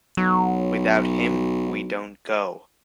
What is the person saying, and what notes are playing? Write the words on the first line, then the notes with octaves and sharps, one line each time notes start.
Without him we don't go.
B1 F#3